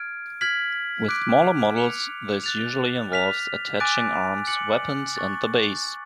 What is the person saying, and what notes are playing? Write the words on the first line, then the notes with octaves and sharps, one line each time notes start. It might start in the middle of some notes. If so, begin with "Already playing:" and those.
With smaller models this usually involves attaching arms, weapons and the base.
Already playing: F6 G#6 D7
F6 G#6 B6 F#7
D6 F#6 B6 D7
F#6 C#7 F7
F#6 A6 F7
F6 B6 F7
G#5 D6 F#6 A6 D7
D6 F#6 C#7 F#7
C#6 F#6 A6